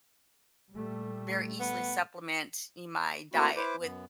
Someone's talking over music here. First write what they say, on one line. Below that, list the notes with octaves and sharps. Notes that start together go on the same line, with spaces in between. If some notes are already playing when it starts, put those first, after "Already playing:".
very easily supplement in my diet with
A#2 G3 A3
B3
A3 A#3 C4 E4 F#4
E4 B4 C5 D6
F#2 B3